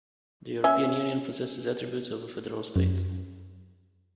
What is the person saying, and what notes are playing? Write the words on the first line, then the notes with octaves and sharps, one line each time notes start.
The European Union possesses attributes of a federal state.
C#4 E5
F#2